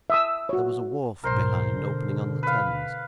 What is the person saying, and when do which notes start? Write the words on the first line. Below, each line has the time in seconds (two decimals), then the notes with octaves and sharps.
There was a wharf behind, opening on the Thames.
0.10 E5 D#6 E6
0.49 F#4 C#5
1.24 B1 G#2 A#4 C5 C6
1.77 B2 D3
2.43 B4 F5